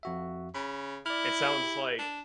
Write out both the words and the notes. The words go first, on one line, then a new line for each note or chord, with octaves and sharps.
it sounds like
F2 F#4 E5
C#3 B5
E4 D5 F6
G4
D4